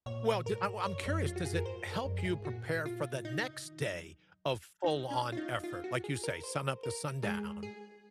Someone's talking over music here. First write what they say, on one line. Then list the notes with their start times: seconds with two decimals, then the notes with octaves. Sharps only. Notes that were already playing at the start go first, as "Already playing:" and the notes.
Well, j I'm I'm curious, does it help you prepare for the next day of full-on effort? Like, you say, sun up the sundown.
0.06 A#2 C#5
0.46 G#2 A#4
0.86 F#2 C#5
1.06 F#2
1.26 F2 F4
1.36 F#4
1.45 F#2 G#4
1.56 A#4
1.65 G#2 C5
1.86 F#2
1.92 A#4
2.05 F#2
2.18 G#4
2.25 G#2
2.45 A#2 F#4
2.86 F4
3.25 C3 D#4
3.45 C#3
3.65 D#3
3.85 F#3
4.84 D#4
5.10 C#4
5.32 F4
5.37 D#4
5.64 F4
5.84 F#4
6.04 G#4
6.24 A#4
6.44 C5
6.83 A#4
7.23 G#3 G#4
7.63 G#4